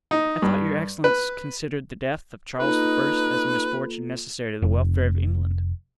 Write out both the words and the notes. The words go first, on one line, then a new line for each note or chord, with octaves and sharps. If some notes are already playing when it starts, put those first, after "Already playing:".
"I thought your excellence considered the death of Charles I. as a misfortune necessary to the welfare of England."
D#4
G2
B4
A#3 D#4 F4 A4 B4
F1